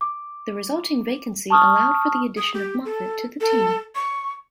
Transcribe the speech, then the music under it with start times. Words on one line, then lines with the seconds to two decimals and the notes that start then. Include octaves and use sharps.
The resulting vacancy allowed for the addition of Moffitt to the team.
0.01 D6
1.50 A5 C#6 D#6 F6
2.37 D#6
2.54 G4
2.85 A4
3.41 A4
3.95 C#6